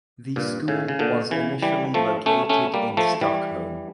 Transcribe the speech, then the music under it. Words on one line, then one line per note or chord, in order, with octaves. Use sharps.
The school was initially located in Stockholm.
G2 A#2
A2 C#3
C#3
A#2 D3
C#3 E3
E3 G3
F3 A3
A3 C#4
A3 C#4
G3 A#3
F3 A3
E3 G3